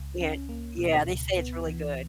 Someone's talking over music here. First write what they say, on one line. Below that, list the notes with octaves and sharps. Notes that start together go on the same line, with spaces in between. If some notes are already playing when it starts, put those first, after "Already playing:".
Yeah, yeah, they say it's really good.
Already playing: C#2
C#4
A#3
B2
C#2
B3
E3